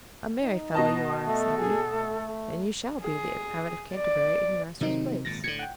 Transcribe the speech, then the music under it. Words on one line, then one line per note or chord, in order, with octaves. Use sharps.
"A merry fellow you are," said he, "and you shall be the Abbot of Canterbury in your master's place."
D#4
B2 D#5 A5
A3 A4
G#4
A3
G#4
D5
C3 D#3 F#3 C4 D#4
G#1 A#2 A6 A#6
A2 D3 G#6 C#7
F#5 G5